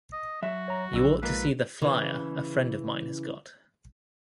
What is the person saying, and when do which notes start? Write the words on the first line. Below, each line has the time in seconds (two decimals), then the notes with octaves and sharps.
You ought to see the flier a friend of mine has got.
0.13 D#5
0.42 F#3 F#4 E5
0.68 C#5 A#5
0.93 A#1 F#2 D3 E6
1.23 G#2 F3 A#3 B4
1.82 C#3 E3